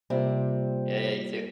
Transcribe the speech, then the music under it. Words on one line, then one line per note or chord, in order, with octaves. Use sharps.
Yeah, yeah, you too.
C3 G3 A#3 C4 F4